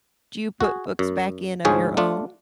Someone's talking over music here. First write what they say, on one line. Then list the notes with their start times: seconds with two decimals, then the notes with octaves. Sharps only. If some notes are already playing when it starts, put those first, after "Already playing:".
Do you put books back in of your own?
0.61 F#4 G#4
0.99 F#2
1.65 D2 G#2 F3 G#4 C#5 G#5
1.97 A3 D4 F4